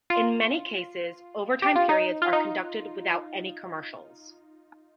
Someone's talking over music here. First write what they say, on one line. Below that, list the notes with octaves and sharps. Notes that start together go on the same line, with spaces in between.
In many cases, overtime periods are conducted without any commercials.
F4
G4
F4
D#4
F4
D#4